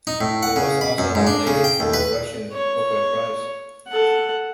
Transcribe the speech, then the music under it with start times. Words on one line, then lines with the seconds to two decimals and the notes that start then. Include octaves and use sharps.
It was also nominated for the Russian "Booker" prize.
0.07 D#4
0.21 A2
0.43 F#5
0.56 C#3
0.81 B5
0.98 F#2
1.15 G#2
1.27 D4
1.47 C#3
1.64 G5
1.80 D#2
1.94 B4
2.52 C#5
3.88 A4 F#5